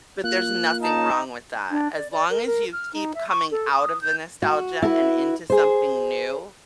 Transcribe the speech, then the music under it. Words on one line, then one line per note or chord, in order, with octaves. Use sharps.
But there's nothing wrong with that, as long as you keep coming out of the nostalgia and into something new,
A#3 F4 F#6
D#4 A5
D4
D5
D5
A#4
A#4
F6
D#4
E5
C#6
A4
D#6
G6
F#4
E4 F#4 A4 B4
G#4 C5